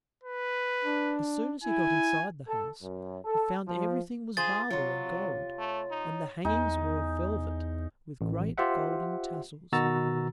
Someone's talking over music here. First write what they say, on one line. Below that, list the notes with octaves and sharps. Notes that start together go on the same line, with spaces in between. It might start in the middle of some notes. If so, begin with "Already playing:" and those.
As soon as he got inside the house, he found everything was marble and gold; and the hangings were of velvet, with great golden tassels.
B4
D4
E4 G#5
A4
F#2
A4
F3
F4 G#4 C5 A6
C3 F#3 F4 C#5
A3
D#4
E2 D#4 G#5
A1
F4 G4 C5 E5 F#5
B2 D#3 F#4 A#5 E6 A6